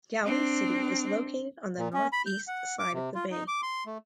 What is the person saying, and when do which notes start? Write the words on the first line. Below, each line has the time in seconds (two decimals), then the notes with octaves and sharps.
Galway city is located on the northeast side of the bay.
0.24 C4 D4
1.78 A#2
1.93 C#4
2.13 B5
2.26 G6
2.47 F#5
2.79 D6
2.93 C3
3.14 F4
3.31 D#4
3.48 D6
3.62 C6
3.86 A3